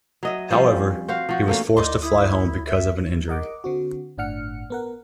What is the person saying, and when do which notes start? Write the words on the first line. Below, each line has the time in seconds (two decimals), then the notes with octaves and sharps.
However, he was forced to fly home because of an injury.
0.23 F#3 D#5 E5
0.51 F3 G3 C4 C#4
1.08 F#4 C5 F5
1.29 F3 F#4
1.48 A3 A#3 C#4
1.77 D2 D#4 D5 C6
2.02 E4 D#6
2.67 E5
3.28 A#4 D#5 F#5 D6
3.64 D3 C4 F#4
4.18 G1 A2 D4 F#5 F6 C#7
4.70 B3 A#4 F#5